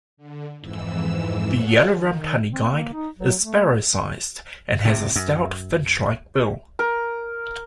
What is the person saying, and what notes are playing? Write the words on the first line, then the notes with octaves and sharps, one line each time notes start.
The yellow-rumped honeyguide is sparrow sized and has a stout finch-like bill.
D3
F2 G#2 E3 E6
G#4 A4 C#5 F5 F#5
D#3
C4
A#3
D#4
F#3
A3
A2 C3
F#2
A#4